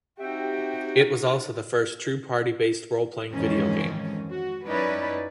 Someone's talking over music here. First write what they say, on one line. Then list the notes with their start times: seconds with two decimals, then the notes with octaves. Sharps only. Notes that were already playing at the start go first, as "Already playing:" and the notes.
It was also the first true party-based role-playing video game.
0.20 C4 D#4 F#4 G4 E5 G5
3.31 F2 G#2 D#3 E3 C#4
4.30 F#4
4.67 F#2 C#4 D#4 E4 B4 D5